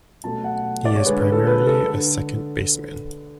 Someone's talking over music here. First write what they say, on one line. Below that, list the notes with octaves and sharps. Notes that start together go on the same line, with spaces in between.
He is primarily a second baseman.
B2 F#3 A3 A5
F#5
D5
C#5
D3 G#3 B4
B4
A4
B4
B4
A4
D3